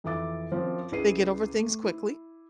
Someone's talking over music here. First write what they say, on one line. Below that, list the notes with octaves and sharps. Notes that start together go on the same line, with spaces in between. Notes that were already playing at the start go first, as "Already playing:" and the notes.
they get over things quickly,
F2 E3 E5 D6 A6
F#2 F3 C4
C#2 E4 G#4 B4 C7 D#7
A3
E4